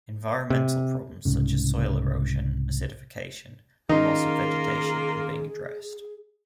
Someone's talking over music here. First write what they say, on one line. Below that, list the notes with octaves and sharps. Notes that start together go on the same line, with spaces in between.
Environmental problems such as soil erosion, acidification, and loss of vegetation are being addressed.
C3
C2 G#2 C#3
D#3 A#3 C#4 D#4 F4 G#4 A#4